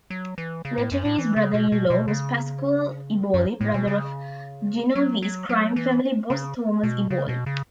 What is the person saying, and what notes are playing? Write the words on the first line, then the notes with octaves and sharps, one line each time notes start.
Lettieri's brother-in-law was Pasquale Eboli, brother of Genovese crime family boss Thomas Eboli.
F#3
E3
C#3
A2
F#2
A2
E3
C#3
B2
B2
B2
C#3
F#2
A2
B2
C#3
F#3
F#3
F#3
E3
C#3
B2
C#3
B2
C#3